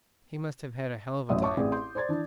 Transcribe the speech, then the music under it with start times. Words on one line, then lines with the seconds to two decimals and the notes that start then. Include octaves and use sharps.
He must have had a hell of a time.
1.29 A1 F#2 D#5 E5 D#6
1.42 C#5 E5 A5 C#6 D6
1.57 A1 C4 G#4 D5
1.72 C6 G6
1.95 C5 D5 C6 G#6 A6
2.09 E3 D4